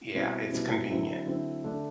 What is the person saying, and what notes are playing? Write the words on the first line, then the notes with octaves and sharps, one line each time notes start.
yeah, it's convenient.
B2 G3 C4 E4
B2 G3 C4 E4
D3 F#3 C4 E4
D3 F#3 C4 E4
D3 A3 D4